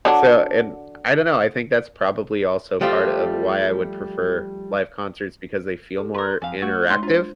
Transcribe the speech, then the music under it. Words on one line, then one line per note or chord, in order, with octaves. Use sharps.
So, and I don't know, I think that's probably also part of why I would prefer live concerts, because they feel more interactive.
D3 F#3 D4
F3 G3 A3 F4 G4
G4 A4
A#4 B4 C6
F2 F5 G#5
A3 F#4
G#3 D#4 C#5 C6
D4 F4 C5